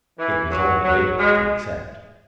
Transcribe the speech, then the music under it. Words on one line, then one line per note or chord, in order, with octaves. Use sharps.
It was only neighbourly to accept.
E3
F#3
F#3
G#3